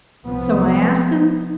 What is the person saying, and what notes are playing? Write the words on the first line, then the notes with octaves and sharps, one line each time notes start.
So I asked them.
C2 F3 B3